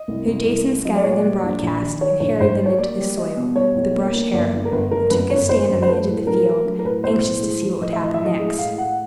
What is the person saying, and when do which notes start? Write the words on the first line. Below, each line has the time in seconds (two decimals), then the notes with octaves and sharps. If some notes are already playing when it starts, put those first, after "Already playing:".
So Jason scattered them broadcast, and harrowed them into the soil with a brush-harrow, and took his stand on the edge of the field, anxious to see what would happen next.
Already playing: D#5
0.08 C2
0.27 C2
0.46 C2
0.66 A3
0.85 F#3 D#5
0.95 D5
1.04 A#2 C#5
1.12 D5
1.24 G3
1.43 A#1
1.62 A#1
1.82 D#3
2.01 D#3 C#5
2.20 A#1 C#5
2.40 G#2 C5
2.59 G3
2.66 C#5
2.78 A#3 D5
2.98 G3
3.17 G3 D#5
3.37 B2
3.56 G3 C#5
3.76 B1
3.95 A#3
4.14 A#3
4.33 G1 D5
4.53 G1
4.65 A#4
4.72 G1 B4
4.91 G1 A#4
5.10 F#2 B4
5.30 G1 C#5
5.49 G1 C5
5.69 F#2
5.82 C5
5.88 A3 B4
6.07 A2
6.27 F#3 A#4
6.46 A3
6.66 F#3
6.79 A#4
6.84 A2 B4
7.04 B1 C5
7.23 A2
7.42 G#3
7.61 F3
7.81 A2 D#5
7.93 E5
8.01 F3 D#5
8.14 E5
8.20 A2 D#5
8.39 G#3
8.59 A2 F5
8.78 A2 F#5